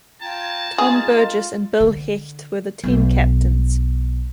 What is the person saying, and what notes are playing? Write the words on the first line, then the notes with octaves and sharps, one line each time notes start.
Tom Burgess and Bill Hecht were the team captains.
F4 G5 A5 A#5
G#3 D#4 F4 G#4
D3
B1